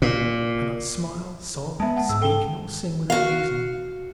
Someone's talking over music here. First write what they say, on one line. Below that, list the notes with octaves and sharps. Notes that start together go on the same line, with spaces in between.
We can not smile, sob, speak nor sing without using them.
A#2
G#3 B3 E5 A5
F#5 A5
G#2 E6
A4 G5 G7
F#4 F5